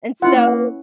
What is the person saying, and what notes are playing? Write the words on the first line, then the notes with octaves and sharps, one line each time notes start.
and so
C#4 E4 F4 F#5
A#3